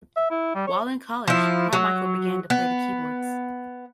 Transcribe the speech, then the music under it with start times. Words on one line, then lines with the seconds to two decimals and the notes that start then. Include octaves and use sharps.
While in college, Carmichael began to play the keyboards.
0.17 E5
0.31 E4
0.55 G3
0.67 C#5
1.28 F3 E4
1.73 F#3
2.50 B3